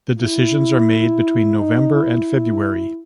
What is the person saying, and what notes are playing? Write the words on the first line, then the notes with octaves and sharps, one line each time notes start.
The decisions are made between November and February.
E4
D#4
E4